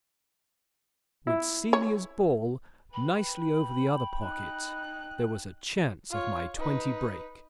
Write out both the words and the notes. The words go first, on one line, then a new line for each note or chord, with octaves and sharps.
With Celia's ball nicely over the other pocket there was a chance of my twenty break.
E4
C#5
B4 G5 B5
D#4 F#6
F4 C#5
D#4 B4